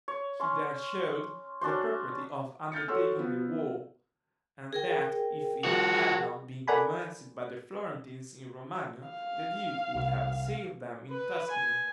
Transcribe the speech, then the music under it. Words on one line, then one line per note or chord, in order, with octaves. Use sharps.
He then showed the propriety of undertaking the war; and that if it had not been commenced by the Florentines in Romagna the duke would have assailed them in Tuscany.
C#5
C#4 C6
C#4 D4 F#4 C5
F6 G6 A6 C#7
F#4 A4 C#5 C6 E6
F3 B3
G#4 A#4 G5
F3 F#4
A4 A#4 D5 F#5 G#5 B5
F5
C2
B4
G#5